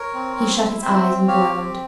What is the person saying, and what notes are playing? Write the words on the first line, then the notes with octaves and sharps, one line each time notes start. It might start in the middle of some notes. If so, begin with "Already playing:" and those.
He shut his eyes and groaned.
Already playing: A#4 C#5
C4
C4
E4
C4 C5 E5
C4
G4 C#5 F5
C4